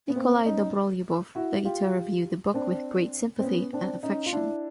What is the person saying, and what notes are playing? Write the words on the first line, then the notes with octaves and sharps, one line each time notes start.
Nikolai Dobrolyubov later reviewed the book with great sympathy and affection.
B3
A#3 C4
C#4 D#4
E4 F#4
F4 G4
C4 D4
C4
B3 C#4
C4 D4
C#4 D#4
F4
D4 E4